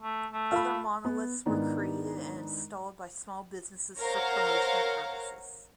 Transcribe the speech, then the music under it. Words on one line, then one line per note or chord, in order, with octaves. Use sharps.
Other monoliths were created and installed by small businesses for promotional purposes.
A3
A3
F4 B5
B3
G#2 D#3 B3 D4 E4
A#4 C5 C#5 F5 F#5 A#5